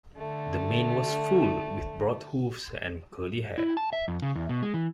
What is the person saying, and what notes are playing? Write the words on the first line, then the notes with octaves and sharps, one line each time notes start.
The mane was full, with broad hooves and curly hair.
D3 A3
E4
A5
E5
F2
C#3
E2
B2
G#3
E3